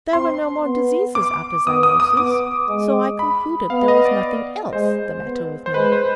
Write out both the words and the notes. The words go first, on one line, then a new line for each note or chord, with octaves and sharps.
There were no more diseases after zymosis, so I concluded there was nothing else the matter with me.
C4 C6
B3
D6
B3 D#6
D#6
D#6
B3 D6
G#3
B5
B3 F5
D#5
D5
G#3 C5
B3
C5
G#3 B4
C5